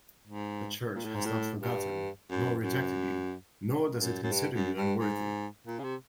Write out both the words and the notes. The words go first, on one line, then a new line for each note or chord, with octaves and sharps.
The Church has not forgotten nor rejected you, nor does it consider you unworthy.
G#2
A#2
A2
G#2
A2
G2
F#2
F#2
F#2
F#2
G2
F#2
G2
G#2
A#2
C#3
C3